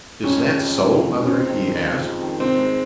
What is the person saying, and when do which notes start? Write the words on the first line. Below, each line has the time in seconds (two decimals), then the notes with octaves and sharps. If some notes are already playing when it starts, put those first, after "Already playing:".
"Is that so, mother?" he asked.
0.23 F2 C#4
0.42 G#3
0.60 F2
0.77 D#3
0.95 F2
1.14 G#3
1.22 C#4
1.31 F2 C4
1.49 D#3
1.67 F2
1.86 G#3
2.03 F2
2.22 D#3
2.40 G#2 C4
2.57 G#3